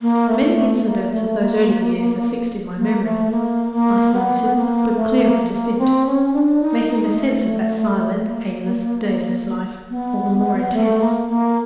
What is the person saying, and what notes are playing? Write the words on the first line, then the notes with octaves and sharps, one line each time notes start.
Many incidents of those early years are fixed in my memory, isolated, but clear and distinct, making the sense of that silent, aimless, dayless life all the more intense.
A#3
A3
A3
A3
A#3
A3
A#3
A#3
A3
A#3
A#3
B3
A#3
A3
A#3
A#3
C4
C#4
D4
D#4
D#4
A3
A#3
B3
A3
A#3
A#3